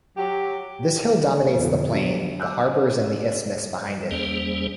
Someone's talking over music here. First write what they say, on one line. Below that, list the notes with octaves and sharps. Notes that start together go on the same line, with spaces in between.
This hill dominates the plain, the harbours and the isthmus behind it.
F#3 G4
F2 B2 D3
F#3 B3 D4 G4
D6 E6 F#6 G6
E2 G3 A#3 C#4 G#4 C5